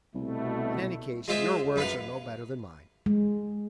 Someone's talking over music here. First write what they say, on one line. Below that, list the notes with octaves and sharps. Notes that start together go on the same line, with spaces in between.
In any case, your words are no better than mine.
C2 B2 A3
G#3 F4 C5 E5
F#2 B4 F5
G#3